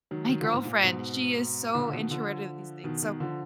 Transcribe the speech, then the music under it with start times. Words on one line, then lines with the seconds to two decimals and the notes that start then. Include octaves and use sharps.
my girlfriend, she is so introverted to these things, so,
0.11 D#3 F#3
0.29 D#3 F#3
0.41 D3 F3
0.53 G#2
0.65 A#2
0.83 G#2 B2
1.75 A#2 D3
1.88 D3
1.93 B2 D#3
2.11 D3 F3
2.84 B2 D#3
3.02 B2 D#3
3.20 D3 F3